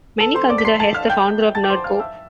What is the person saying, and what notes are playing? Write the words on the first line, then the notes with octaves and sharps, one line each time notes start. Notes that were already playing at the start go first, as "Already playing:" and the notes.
Many consider Hess the founder of Nerdcore.
A4 A5
C5 C6
D5 D6
B6
C6 C7
A5 A6
F5 F6
G5 G6
A5 A6
D6
C5 C6
F5 F6
E5 E6